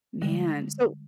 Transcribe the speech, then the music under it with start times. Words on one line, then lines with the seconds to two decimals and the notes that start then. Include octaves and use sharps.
Man. So,
0.22 D3 G3 G#3